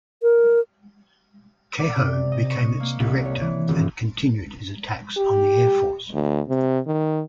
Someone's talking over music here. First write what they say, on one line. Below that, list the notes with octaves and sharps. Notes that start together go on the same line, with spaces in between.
Keyhoe became its director and continued his attacks on the Air Force.
A#4
D5
C3
D#5
C#6
A#3
C2
C#5
E3
D#1
G4
D2
C3
D#3